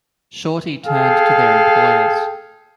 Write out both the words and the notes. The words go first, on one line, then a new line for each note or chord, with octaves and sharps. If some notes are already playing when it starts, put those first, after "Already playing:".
Shorty turned to their employers.
G#4 A4 F5 G5